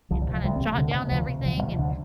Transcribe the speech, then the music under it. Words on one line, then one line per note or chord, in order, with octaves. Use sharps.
and kinda jot down everything and,
C2 F3
D3
C3
F3
D2 G3
C4
C3
A3
D2 D3
C3
D2 F3
C3
D2 F3
G3
C3
F3
D2 D3